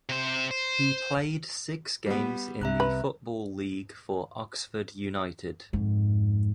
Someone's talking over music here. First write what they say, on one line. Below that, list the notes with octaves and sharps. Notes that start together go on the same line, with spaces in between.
He played six games in the Football League for Oxford United.
C3 C5
C5
G3 B3
C2 C3 E5 A#5 F#6
B4
F2 G#2